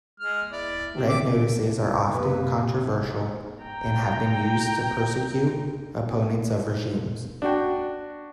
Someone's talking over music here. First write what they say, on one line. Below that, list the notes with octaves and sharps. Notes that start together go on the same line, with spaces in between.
Red notices are often controversial and have been used to persecute opponents of regimes.
G#3 F6
E4 D5
C4
E5 D6
F#2 A#3 G4 B4
G5 A#5
D4 F#4 G5